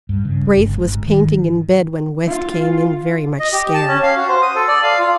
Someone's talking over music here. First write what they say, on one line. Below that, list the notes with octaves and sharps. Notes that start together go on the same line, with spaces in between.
Braith was painting in bed when West came in very much scared.
G2
C#3
G1
G#2
D#3
F4
D#5
G4
A5
C#4
F5
F#4
C5
D#6
A4
D5
F5
F4